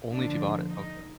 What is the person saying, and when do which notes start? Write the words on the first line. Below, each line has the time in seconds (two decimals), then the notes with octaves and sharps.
Only if you bought it. Okay.
0.11 D3 F3 A#3 D4
0.69 D#4